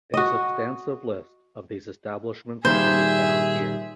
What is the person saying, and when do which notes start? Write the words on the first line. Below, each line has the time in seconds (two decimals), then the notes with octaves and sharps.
A substantive list of these establishments can be found here.
0.14 F#4 D#5
2.65 A#2 D#3 G3 G#4 C5 E5